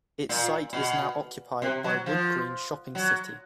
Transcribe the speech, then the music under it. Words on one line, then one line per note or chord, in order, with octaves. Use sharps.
Its site is now occupied by Wood Green Shopping City.
A#2
B2
C3
F#3
F3
F#3